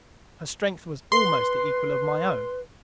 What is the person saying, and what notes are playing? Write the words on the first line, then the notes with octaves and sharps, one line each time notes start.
Her strength was almost the equal of my own.
B4 C6